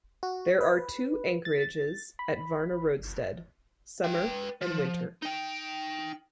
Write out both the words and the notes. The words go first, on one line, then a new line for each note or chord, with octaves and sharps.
There are two anchorages at Varna roadstead: summer and winter.
F#4
B4
A6
B5
B4 G5
F3
D#4 G5